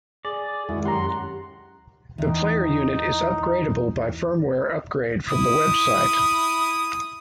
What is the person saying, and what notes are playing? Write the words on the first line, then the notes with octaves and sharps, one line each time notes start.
The player unit is upgradeable by firmware upgrade from the website.
G#4 D5
F2 D#3 G#3 E4 F#4 G#4
F#2 G4 F#5 A#5 C6
E2 D#4 G5
E4 D#6